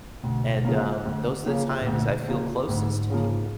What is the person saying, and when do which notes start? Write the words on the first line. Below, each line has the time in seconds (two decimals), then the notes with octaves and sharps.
and, um, those are the times I feel closest to people.
0.23 D2 B2
0.65 C#3 F3 A#3
1.05 D2
1.46 C#3 F3 A#3
1.81 A2
1.87 D2 A#2
2.28 C#3 F3 A#3
2.68 D2 G#2
3.10 C#3 F3 A#3